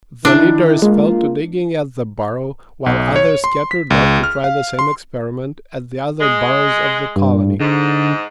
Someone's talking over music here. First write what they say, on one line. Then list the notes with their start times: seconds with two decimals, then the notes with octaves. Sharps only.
The leaders fell to digging at the burrow, while others scattered off to try the same experiment at the other burrows of the colony.
0.25 D#3 D4 E4
0.82 G#3 A#3 F4
2.86 B1
3.16 C#5
3.44 C6
3.71 B6
3.90 C#2
4.24 F6
4.44 F5
4.79 C6
6.21 G#3
7.16 G2
7.60 G#2 D3